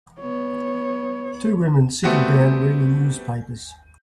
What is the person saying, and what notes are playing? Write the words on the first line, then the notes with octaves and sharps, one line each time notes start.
Two women sitting down reading newspapers.
B3 C#5
G3 A3 B3 C4 F#4 G4